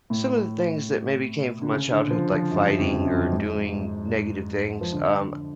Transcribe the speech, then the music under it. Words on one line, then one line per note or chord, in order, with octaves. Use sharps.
some of the things that maybe came from my childhood, like fighting or doing negative things, um,
A2
D3
C#3
D3
F3
F3
F#2
F2
F#2
F2
F#2
G#2
F3
D3